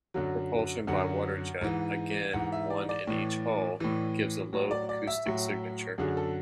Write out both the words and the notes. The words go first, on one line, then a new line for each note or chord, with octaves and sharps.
Propulsion by water jet, again one in each hull, gives a low acoustic signature.
F#2 D3 F#3
F#2 D3 F#3 F#5
G#2 E3
G#2 E3 F#5
E5
D5
D5
A2 E3
A2 E3
A2 F#3
D5
D5
E5
A2 F#3
F#2 D3 F#3 G#4
A4